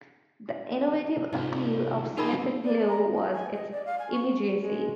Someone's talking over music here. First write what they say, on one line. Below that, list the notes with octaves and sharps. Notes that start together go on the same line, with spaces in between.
The innovative appeal of "Sniffin' Glue" was its immediacy.
C2 G#2 F3 D#4
F3 D#4 F4 G4 G#4 A#4 D#5 B5
D5
A#5
D#5
G#5
D#5
D5
F5
G#5
C#6
G#3